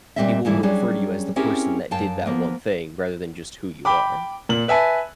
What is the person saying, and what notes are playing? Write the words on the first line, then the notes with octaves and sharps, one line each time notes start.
people will refer to you as the person that did that one thing rather than just who you are.
A#2 D#3 G3 C4 D#5 E5
G#2 D3 E3 G3 E4
F#3 G3 C#4 D4 G4 G#4
C4 C#4 E4 G4 G#4 A#4
F#2 F5 G5 A5
F3 A#3 B3
G5 B5 D6
A#2 F#7
B4 E5 G#5 A5